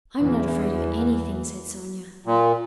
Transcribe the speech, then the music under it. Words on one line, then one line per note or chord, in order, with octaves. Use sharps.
"I'm not afraid of anything," said Sonya.
E2 E3
A#2